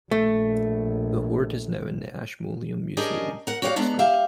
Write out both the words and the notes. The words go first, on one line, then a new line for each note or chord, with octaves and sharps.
The hoard is now in the Ashmolean Museum, Oxford.
A#1 A3
C#4 D4 G4 G#4 A#4 D#5
A#4 F#5
F#4 G4 C#5 D5 E5 F5
G#3 B3 D4 A#5
G4 E5 F5